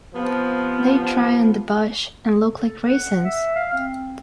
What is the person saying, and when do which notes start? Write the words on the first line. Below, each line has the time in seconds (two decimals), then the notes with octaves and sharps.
They dry on the bush and look like raisins.
0.14 C3 F3 B3
2.57 A4
2.87 F#5
3.23 E5
3.56 F5
3.73 C4